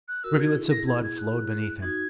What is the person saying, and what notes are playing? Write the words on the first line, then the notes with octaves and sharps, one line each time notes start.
Rivulets of blood flowed beneath him.
F#6
F#4 A#4 E6
G#6
E4 G#4
A#6
G#6
G#6
F#6
D#4 F#4 G#6